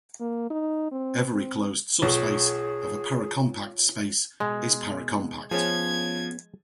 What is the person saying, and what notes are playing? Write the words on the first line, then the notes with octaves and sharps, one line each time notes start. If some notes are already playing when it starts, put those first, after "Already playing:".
Every closed subspace of a paracompact space is paracompact.
A#3
D#4
C4
C4
B1 F4 G#4 C#5
B2 G#3
F3 B3 C#4 G#4 G#6